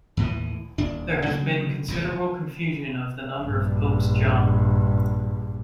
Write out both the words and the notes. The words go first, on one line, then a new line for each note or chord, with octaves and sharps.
There has been considerable confusion of the number of Popes John.
D#2 A2 E3
D#1 D#2 D4
C#3 F#3 A3 A#3
F1 E2 A#2 E3
A#1 G2